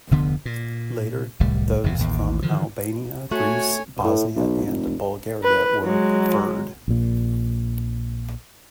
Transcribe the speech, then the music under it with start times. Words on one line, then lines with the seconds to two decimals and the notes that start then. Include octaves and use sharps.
Later, those from Albania, Greece, Bosnia, and Bulgaria were preferred.
0.11 F1 D2 D3 B3
0.45 A#2
1.40 D1 C2 A2 G3
1.84 F#1 E2 C3
1.99 A1 D#2
2.42 D3 D#3 F3
3.31 A3 F#4 C#5 G#5
4.04 A2
4.36 B1
4.67 F1
5.43 B4
5.84 F#3 G#3
6.88 A#1 A#2